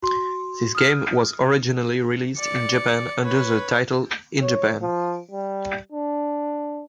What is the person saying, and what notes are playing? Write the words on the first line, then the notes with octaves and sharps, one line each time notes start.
This game was originally released in Japan under the title in Japan.
F#4 C6
D#6 F6
D5 C#7
B4 C#5
C#5
F3
G3
D4